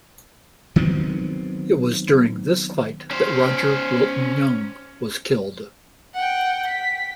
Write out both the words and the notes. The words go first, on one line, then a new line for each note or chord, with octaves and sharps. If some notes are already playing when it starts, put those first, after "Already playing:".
It was during this fight that Rodger Wilton Young was killed.
D#3 F#3 B3 C4
C#4 C5
F#5 G5
B6